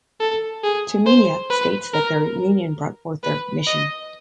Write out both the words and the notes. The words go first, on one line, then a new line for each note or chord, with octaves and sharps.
Tumminia states that their union brought forth their "mission".
A4
G#4
C5
B4
A#4
B4
D#5